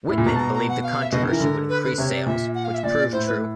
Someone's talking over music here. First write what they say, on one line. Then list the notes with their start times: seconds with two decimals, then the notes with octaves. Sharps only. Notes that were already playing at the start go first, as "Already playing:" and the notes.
Whitman believed the controversy would increase sales, which proved true.
0.09 A2
0.18 A#2
0.26 B2 A#5
0.35 A5
0.40 A#5
0.55 A#5
0.69 F#5
0.83 F5
1.02 E5
1.12 B2 D#5
1.22 D#3
1.27 E3 A#4
1.40 D3
1.69 B4
1.84 B4
1.98 C3 C#5
2.12 D5
2.26 A#2 E5
2.55 F#5
2.65 F5
2.74 E5
2.83 A#2 D5
3.12 A2 C5
3.27 B4